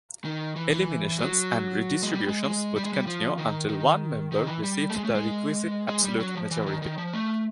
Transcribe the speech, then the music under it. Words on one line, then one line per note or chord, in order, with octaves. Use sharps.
Eliminations and redistributions would continue until one member received the requisite absolute majority.
D#3
E3
E3
F#3
G#3
G3
G#3
G#3
G3
G#3
G3
F3
D#3
D#3
D#3
E3
G3
A3
G#3
A3
G#3
G#3
G3
F#3
F3
E3
D#3
D#3
F3
A3